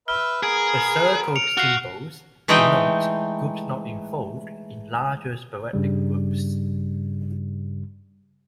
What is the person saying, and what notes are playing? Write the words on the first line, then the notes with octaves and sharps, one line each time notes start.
The circled symbols denote groups not involved in larger sporadic groups.
B4 E5 F6
B3 G#4 A#4 D7
C#7 D7 F7
F4 F#4 F6 F#6 C7
E3 G#3 A3 D#4 D#5 G5
G2 C#3 G3